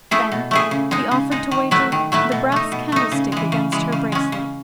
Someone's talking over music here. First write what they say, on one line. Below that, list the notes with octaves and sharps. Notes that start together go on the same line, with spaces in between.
Then he offered to wager the brass candlestick against her bracelet.
A3 E4 G#4
B2
A3 E4 G#4
C#3
G#3 D#4
C#3
G#3 D#4
D#3
F#3 A3 E4 B4
D#3
F#3 A3 E4 B4
B2
A3 D#4
B2
A3 D#4
C#3
E3 G#3
C#3
E3 G#3
C#3
G#3 C#4
C#3